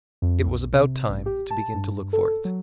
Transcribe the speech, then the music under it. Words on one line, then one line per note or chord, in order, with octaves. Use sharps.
It was about time to begin to look for it.
F2
B1
C3
A1
G4
A5
G2
A4
F#3